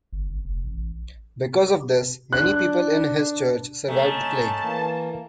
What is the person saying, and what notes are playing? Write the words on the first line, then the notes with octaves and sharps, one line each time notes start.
Because of this, many people in his church survived the plague.
G1
G#1
F1
A1
D4 F#6
A3 C#4 D#4 A5
E3 A#3